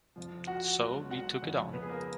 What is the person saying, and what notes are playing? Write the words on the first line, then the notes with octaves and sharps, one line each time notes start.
So we took it on.
F2 F3
F#4 F#5
C#2 B2 F#3
F#4 F#5
F2 C#3 F3
B3 B4
G#4
A#3 A#4